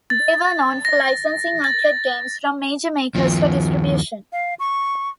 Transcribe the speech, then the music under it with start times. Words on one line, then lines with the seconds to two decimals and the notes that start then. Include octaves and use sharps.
They were known for licensing arcade games from major makers for distribution.
0.10 A6
0.85 A#6
1.64 A6
3.15 D#2 F3
4.33 F5
4.60 C#6